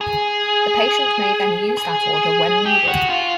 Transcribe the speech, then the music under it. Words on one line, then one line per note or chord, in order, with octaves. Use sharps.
The patient may then use that order when needed.
G#4
G#4
G4
F#4
F4